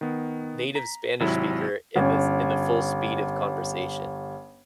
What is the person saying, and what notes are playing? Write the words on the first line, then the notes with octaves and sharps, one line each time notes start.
native Spanish speaker in these in the full speed of conversation.
D#3 B3
A#5 B6
G#1 C3 F#3 E4
G1 C#4